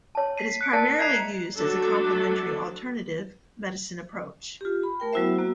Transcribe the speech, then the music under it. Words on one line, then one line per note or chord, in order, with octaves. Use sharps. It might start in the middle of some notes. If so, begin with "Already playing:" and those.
It is primarily used as a complementary alternative medicine approach.
C#5 A5
B6 C7 D#7
F#6 C#7 D7
A#4 D5 A5 A6
D#5 E5 A#5 G#6 C7 F7
F#3 A3 D4 A4
F4 G4
B5
A3 A#4 G5
F#3 B3 E4 F#4 C5 E5
A#3 F#4